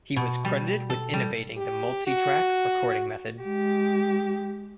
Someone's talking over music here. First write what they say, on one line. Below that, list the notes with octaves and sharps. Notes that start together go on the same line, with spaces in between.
He was credited with innovating the multitrack recording method.
B2
G3
A4
G3
G4
F#4
G#3 G4